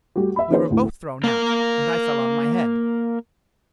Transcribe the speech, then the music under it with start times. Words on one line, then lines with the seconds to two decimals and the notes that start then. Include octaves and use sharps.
We were both thrown out, and I fell on my head.
0.16 G3 A3 F#4 G4
0.36 E5 B5
0.50 D#3 A#3 C#4 G#4 B4 C5
0.70 D2 A2
1.24 A#3 A#4